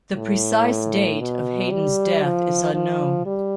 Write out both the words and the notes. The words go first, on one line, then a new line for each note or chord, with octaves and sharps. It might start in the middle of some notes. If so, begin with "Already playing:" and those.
The precise date of Heydon's death is unknown.
A2
B2
G3
F3
F3
G3